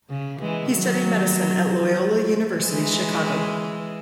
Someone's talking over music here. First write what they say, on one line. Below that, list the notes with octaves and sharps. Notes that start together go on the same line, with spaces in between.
He studied medicine at Loyola University Chicago.
C#3
E3 G#3
D#3 F#3
E3 G#3